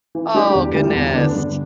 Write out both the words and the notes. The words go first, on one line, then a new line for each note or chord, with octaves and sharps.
Oh, goodness!
E3
G3 D4 G4
E2
D3 G3 E4
E2
D3 B3 D4
G2